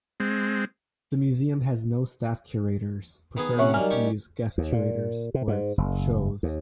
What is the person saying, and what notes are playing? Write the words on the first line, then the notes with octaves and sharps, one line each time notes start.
The museum has no staff curators, preferring to use guest curators for its shows.
G#3 C4
D#3 B3 G#4
C3 D#3 C#4 C#5 E5 F#5 C#6
D#3 F#3 G3 A#3 G#5 F6
C#4 G4 C#6
D#2
A#2
C3
G#2
F#1
D#2